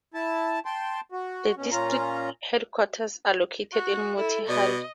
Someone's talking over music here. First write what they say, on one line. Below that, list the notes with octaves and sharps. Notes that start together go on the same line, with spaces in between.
The district headquarters are located at Motihari.
E4 A5
G5 A5 C6
F#4
B2 C#4
A#2 C#4 F4 A#5
F#4
E4 A4
B2 D5 D#5